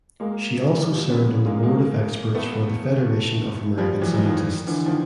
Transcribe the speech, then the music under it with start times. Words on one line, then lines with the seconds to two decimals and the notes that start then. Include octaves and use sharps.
She also served on the board of experts for the Federation of American Scientists.
0.20 G#3 A#3
0.91 F3 G3
1.09 B3 C#4
1.45 G#3 A#3
1.63 G#3 A#3
2.35 A3 B3
3.77 F3 G3
4.01 E3 F#3
4.25 D#3 F3
4.67 D3 E3
4.85 D#3 F3